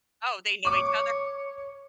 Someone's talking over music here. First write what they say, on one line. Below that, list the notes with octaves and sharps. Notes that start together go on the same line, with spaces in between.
Oh, they know each other?
C#5 C#6 D6